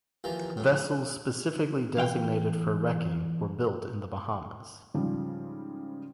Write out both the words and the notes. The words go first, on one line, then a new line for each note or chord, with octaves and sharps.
Vessels specifically designed for wrecking were built in the Bahamas.
D#2 E3 F3 A#5
F2 A2
E2 F5 G5
G#2 C#3 F3 G3